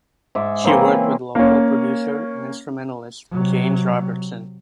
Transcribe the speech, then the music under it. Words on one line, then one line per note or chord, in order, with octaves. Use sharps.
She worked with local producer and instrumentalist, James Robertson.
G#2 E5 D6
C#3 E3 A#3 C4
A#3 C#4
C3 F#3